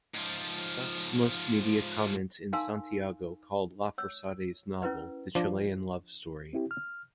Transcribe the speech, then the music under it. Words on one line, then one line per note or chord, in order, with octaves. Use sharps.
Thus most media comments in Santiago called Lafourcade's novel the Chilean love story.
G#2 F3
D#4 A#4 F5 G#5 C6 E6
C#5 E6
C#4 E4 A#4 B4 D5
F3 D4
C4 E4 G4
F6